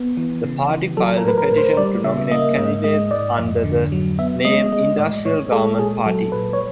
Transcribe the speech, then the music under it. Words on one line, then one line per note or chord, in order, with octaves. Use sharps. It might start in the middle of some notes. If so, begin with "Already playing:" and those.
The party filed a petition to nominate candidates under the name Industrial Government Party.
Already playing: B3
E3
C#3
E3
F#3 A4
A#4
A2 B4
A#4
A2
C5
G3 D5
C#3 E5
A#3 D#5
G#2 D#5
G#3 D#5
G#2 D5
F2
D3
F#3
B3 E5
G#3 D#5
G#3 D#5
A2 D5
A2 C#5
G#3 A4
A#2 G#4
F#3 A4
A#2 B4
C#5